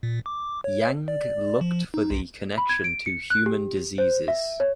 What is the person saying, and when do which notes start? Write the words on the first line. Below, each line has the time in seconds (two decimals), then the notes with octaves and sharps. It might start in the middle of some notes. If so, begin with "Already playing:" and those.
Yang looked for the connection to human diseases.
0.03 A#2
0.26 D6
0.64 C#5
1.08 D5
1.61 F3
1.94 D#4
2.10 B1
2.58 B5
2.69 G#6
2.84 D7
3.06 C#7
3.30 F#6
3.46 G4
3.98 C5
4.28 E5
4.60 C#5